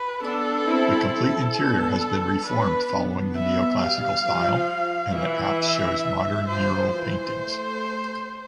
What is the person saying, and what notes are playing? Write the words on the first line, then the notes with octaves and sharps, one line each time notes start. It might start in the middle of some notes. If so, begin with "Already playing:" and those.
The complete interior has been reformed following the neoclassic style and the apse shows modern mural paintings.
Already playing: B4
B3 D4 A4
C4 E4
A4
B3 D4
B3 D4 B4
B3 D4
B3 E5
G3 F5
F3
E3 E5
F3 C5
E3 C5
A3